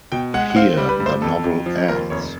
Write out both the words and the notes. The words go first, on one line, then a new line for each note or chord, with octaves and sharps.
Here the novel ends.
B2 G5
G#3 F#5
F#5
C4 F5
G3
B4
G2
C5
F2 A4
F2
F3
D#2 A#4
F1 C#5